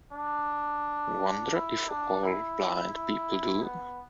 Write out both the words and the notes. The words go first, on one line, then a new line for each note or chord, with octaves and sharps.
Wonder if all blind people do?
D4
E4
D4
E4
E4
B3